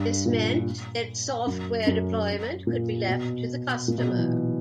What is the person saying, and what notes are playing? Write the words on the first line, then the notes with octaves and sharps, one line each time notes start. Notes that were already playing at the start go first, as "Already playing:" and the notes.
This meant that software deployment could be left to the customer.
Already playing: G2
A#2
F#2
F#2
A#2
B2
A#2
B2
F#3
E3